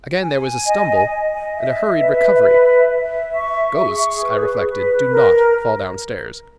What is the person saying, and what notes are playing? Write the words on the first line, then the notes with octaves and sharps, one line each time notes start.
Again there was a stumble and a hurried recovery,—ghosts, I reflected, do not fall down stairs!
G#5
D#5
D#5
E5
B4
E5
E5
C#6
G#4
B4
B4
A#4